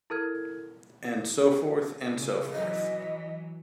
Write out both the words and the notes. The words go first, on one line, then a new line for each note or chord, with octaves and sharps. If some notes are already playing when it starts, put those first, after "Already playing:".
And so forth and so forth.
E4 A4 A#4 F6 G#6
A#2 C#3
E3 F#3 D#5